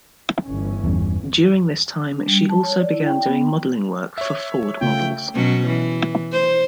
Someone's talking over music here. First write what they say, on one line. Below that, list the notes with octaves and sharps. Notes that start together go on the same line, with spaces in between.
During this time, she also began doing modeling work for Ford Models.
G1 E3 C#4
E2 G2
D4
G3
A5
C#5
D5
E4
G5
B3
C#5 E5
C#3 A3 F4 G5
B2 F#3 C#4
E3
C5